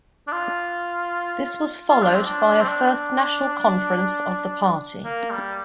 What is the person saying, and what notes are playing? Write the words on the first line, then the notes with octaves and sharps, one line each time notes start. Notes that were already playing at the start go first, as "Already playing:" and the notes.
This was followed by a First National Conference of the party.
D4
F4
F4
D4
C4
D4
C4
D4
A#3
G3